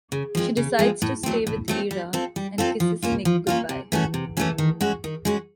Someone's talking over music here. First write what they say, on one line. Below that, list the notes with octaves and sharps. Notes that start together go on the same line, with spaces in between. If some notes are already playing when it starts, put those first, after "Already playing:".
She decides to stay with Ira and kisses Nick good-bye.
C#3
F3 G#3 C4
C#3
F3 G#3 C4
A2
F#3 A3 C4
A2
F#3 A3 C4
G3
C4 F4 A4
G3
C4 F4 A4
F3
A#3 C#4 F4
F3
A#3 C#4 F4
C3
E3 A3 C#4 F#4
C3
E3 A3 C#4 F#4
D#3
G#3 C#4 F#4
D#3
G#3 C#4 F#4